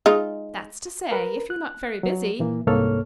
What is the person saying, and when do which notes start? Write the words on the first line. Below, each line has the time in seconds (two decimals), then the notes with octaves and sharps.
"That's to say if you're not very busy."
0.06 G#3 D#4 F4
1.11 A#4 B4
1.50 F#6
2.03 F#3
2.39 A#2 E3 A#3
2.67 C2 G#2 A#3 A4 C#5 F6